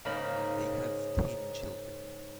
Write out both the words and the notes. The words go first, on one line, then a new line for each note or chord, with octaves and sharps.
They have ten children.
G#2 C#3 A#3 D#4 A#4 B5